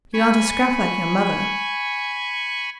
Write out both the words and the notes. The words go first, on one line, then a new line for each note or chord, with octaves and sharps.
You aren't a scrap like your mother.
G#5 B5 C#6